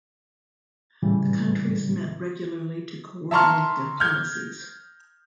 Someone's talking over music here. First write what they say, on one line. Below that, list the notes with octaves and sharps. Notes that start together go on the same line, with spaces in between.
The countries met regularly to coordinate their policies.
A2 C#3 E3 G3
E5 A5 A#5 C6 C#6 F6
F6 G6 G#6